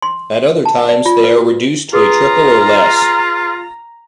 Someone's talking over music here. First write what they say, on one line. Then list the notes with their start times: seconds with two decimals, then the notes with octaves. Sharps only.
At other times they are reduced to a trickle or less.
0.02 C6
0.65 A5
0.89 D5
1.06 F4
1.24 B4
1.37 F#4
1.93 F4 G#4 B4 A#5 D#6